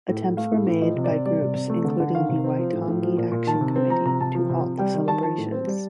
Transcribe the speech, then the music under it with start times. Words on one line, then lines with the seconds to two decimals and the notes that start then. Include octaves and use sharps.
Attempts were made by groups including the Waitangi Action Committee to halt the celebrations.
0.08 A2
0.23 A2
0.37 A3 F5
0.52 A2
0.67 A2
0.81 F3 D#5
0.97 C3
1.04 D5
1.11 C3
1.26 G3 D5
1.41 C3
1.55 C3
1.70 A3
1.84 D3
2.00 D3
2.15 D#3 F5
2.29 C3
2.44 C4
2.59 F3
2.73 A2
2.88 A2
3.02 F3
3.18 A#2
3.32 A#2
3.47 D#3 A5
3.61 C3
3.76 C4
3.90 F3 A#5
4.05 C3 A#5
4.20 C3 A5
4.35 F3
4.50 C3
4.64 C3
4.78 G3 G5
4.94 D#3
5.08 D#3 A5
5.23 F3 A5
5.38 A2
5.52 C4
5.67 G3